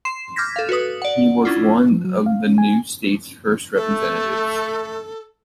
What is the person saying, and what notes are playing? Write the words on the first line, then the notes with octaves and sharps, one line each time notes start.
He was one of the new state's first representatives.
C6 C7 E7
D6 F6 G6 G#6 A#6 B6
A4 F5
F#4 A4 B4 D#6
D5 F#5
C#4 D4 E4 F4
F3
F#3
F5
C#4
G#5
A3 A4